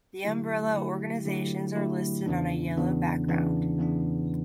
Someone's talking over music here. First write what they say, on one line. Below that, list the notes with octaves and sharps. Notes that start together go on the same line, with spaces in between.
The umbrella organizations are listed on a yellow background.
D3 F#3 A3 E4 G4
D3 F#3 A3 E4 G4
D3 F#3 A3 E4 G4
D3 F#3 A3 E4 G4
E2 C#3 E3 B3 D4
E2 C#3 E3 B3 D4
E2 C#3 E3 B3 D4
E2 C#3 E3 B3 D4